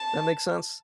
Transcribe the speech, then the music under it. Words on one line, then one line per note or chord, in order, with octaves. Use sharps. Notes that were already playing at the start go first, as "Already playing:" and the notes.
that makes sense?
Already playing: A5